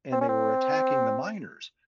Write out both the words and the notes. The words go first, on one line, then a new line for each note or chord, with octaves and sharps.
and they were attacking the miners.
C4
C#4
C4